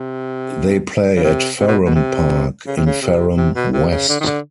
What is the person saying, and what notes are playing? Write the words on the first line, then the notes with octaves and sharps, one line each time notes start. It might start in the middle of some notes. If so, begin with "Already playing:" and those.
They play at Farum Park, in Farum West.
Already playing: C3
C#3
C3
C3
B2
B2
C3
C#3
C3
C#3
C3
C3
B2
C3
C#3
D3
D#3
D3